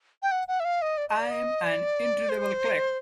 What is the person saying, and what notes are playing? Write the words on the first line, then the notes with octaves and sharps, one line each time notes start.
I'm an entry-level clerk.
G5
F#5
F#5
E5
F5
D#5
D5
D#5
D5
D#5
D5
C5